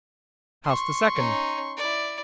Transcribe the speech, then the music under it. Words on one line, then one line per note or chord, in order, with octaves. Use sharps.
House the second.
C6 C#6
C#4 D#4
E4 D5